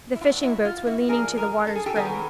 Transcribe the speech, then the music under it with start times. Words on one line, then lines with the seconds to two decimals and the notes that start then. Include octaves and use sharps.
The fishing-boats were leaning to the water's brim.
0.15 E4
0.21 A2 F#3 B3 D4 F4
0.43 E4 F#4
0.65 F4
0.87 E4 F#4
1.08 F3 A#3 D4 G#4 A#4
1.37 G#4 A#4
1.67 A4
1.75 G#4
1.86 G4 A4
1.96 D#3 F#3 B3 F#4 G#4